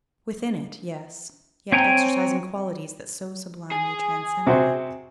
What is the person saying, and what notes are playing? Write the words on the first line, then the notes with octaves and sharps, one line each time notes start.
Within it, yes; yet exercising qualities that so sublimely transcended it.
C4 C#5 G5 G#5 A#5
G#4
C3 F#4 C5